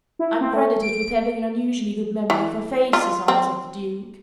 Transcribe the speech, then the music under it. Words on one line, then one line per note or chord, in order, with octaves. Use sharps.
"I'm credited with having an unusually good memory for faces," answered the Duke.
E4
C4
A3
D7
E3
F4
C4